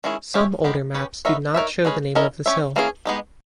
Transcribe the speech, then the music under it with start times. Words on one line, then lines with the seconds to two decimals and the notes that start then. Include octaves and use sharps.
Some older maps do not show the name of this hill.
0.04 D#3 G#3 C#4 E4 G#4
0.34 C#4 G4 C#5 E5
0.64 G#3 B3 G4 A#4
0.94 C#4 G4 B4
1.25 B3 D#4 A#4 C#5 E5
1.54 D#4 A#4 C#5 E5
1.85 G#3 C#4 G#4 B4
2.15 C#4 E4 A#4 D#5
2.46 C#4 G4 C#5 E5
2.76 E3 A#3 C#4 E4 G#4
3.05 G#3 B3 D#4 G4